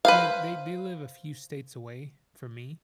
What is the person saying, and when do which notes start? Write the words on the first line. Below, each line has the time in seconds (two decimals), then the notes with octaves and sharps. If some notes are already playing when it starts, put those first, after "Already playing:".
Yeah, they they live a few states away from me.
0.05 B4 C5 F5